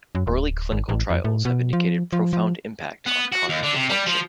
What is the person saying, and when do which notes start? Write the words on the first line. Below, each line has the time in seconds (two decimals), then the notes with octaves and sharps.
Early clinical trials have indicated profound impact on cognitive function.
0.15 F#2
0.27 D1
0.72 G#1
0.89 A1
1.10 F2
1.25 A2
1.45 B2
1.73 F3
2.13 F3
2.33 F3
3.06 B3
3.32 F#4
3.49 D#2
3.63 D3
3.75 C3
3.89 G3
4.06 F3